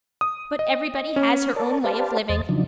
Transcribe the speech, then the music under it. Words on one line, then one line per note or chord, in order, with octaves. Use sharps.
But everybody has her own way of living . . .
D#6
D#5
C#4
A#4 C#5 D5 A5
G4 B4 C5 D5 F5 A5
E2 C5 D#5 A6
C#3 F3 F#3 D4 D#4